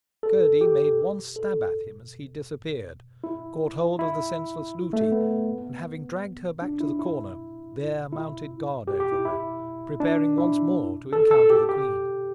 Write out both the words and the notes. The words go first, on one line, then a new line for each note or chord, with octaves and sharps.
Curdie made one stab at him as he disappeared, caught hold of the senseless Lootie, and having dragged her back to the corner, there mounted guard over her, preparing once more to encounter the queen.
A4
G4
A4
E4
E4
A3
B3
D4
E4
E4
E4
G4
G4
E4
E4
D4
E4
A4
A4
G4
G4